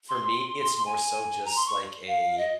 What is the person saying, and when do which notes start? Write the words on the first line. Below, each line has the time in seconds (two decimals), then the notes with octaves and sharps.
for me, it's more so just like a
0.09 C6
0.85 G#5
1.46 A#5
1.56 C6
1.66 C#6
2.08 F5
2.38 D#5